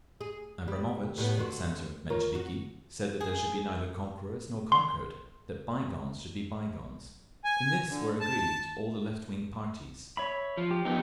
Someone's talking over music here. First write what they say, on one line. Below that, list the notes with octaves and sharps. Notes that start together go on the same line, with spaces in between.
Abramovitch, for the centre Mensheviki, said that there should be neither conquerors nor conquered--that bygones should be bygones. ...In this were agreed all the left wing parties.
G#4
G3
A2 G3 B3
D3 C4 F#4
F4 A#4 C#5
F#4
G#4
C6
G#5
D3
A5
C#5 E5 B5
F3
G4
F2 B3 D#4